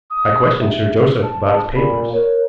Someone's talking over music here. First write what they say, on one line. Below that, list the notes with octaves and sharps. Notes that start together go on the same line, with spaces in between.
I questioned Sir Joseph about his papers.
D#6
E5
A5
A#2 B5
A#4 C#5